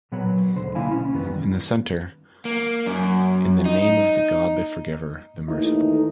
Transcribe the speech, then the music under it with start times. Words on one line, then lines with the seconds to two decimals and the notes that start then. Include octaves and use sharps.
In the centre: In the name of the God the forgiver, the merciful.
0.12 A#2 F#3 B3 C#5 F#5
0.56 C#2 D3 C5
0.75 B2 D3 A#3 E4 F5 G#5
0.92 C#4
1.14 F#2 D#3 E3 G3 B3
2.45 A#3
2.86 F#2
3.66 D#4
5.48 D#2 E3 A3 D#4 E4